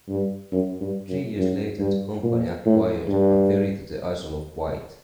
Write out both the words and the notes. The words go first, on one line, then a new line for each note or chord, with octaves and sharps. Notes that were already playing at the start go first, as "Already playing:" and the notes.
Three years later the company acquired a ferry to the Isle of Wight.
G2
F#2
G2
F#2
F#2
G2
A#2
A2
G2